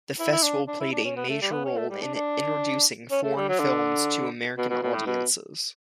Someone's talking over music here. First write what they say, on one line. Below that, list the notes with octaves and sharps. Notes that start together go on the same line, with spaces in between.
The festival played a major role in introducing foreign films to American audiences.
E4
E4
D4
D4
E4
D4
C#4
B3
A3
G3
B3
C#4
A3
G3
D4
D4
C#4
A3
G3
F#3
D3
B2
B2
B2
A2
B2